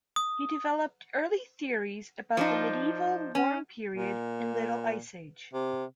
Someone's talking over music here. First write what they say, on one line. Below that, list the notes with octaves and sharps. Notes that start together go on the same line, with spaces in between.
He developed early theories about the Medieval Warm Period and Little Ice Age.
D#6
F3 D4 D#4
C#4
A#2
C3